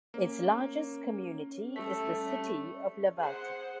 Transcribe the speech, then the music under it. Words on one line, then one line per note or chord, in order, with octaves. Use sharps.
Its largest community is the city of Lavaltrie.
A#3 C#4
G3 A3 B6
G#4 C5 F#5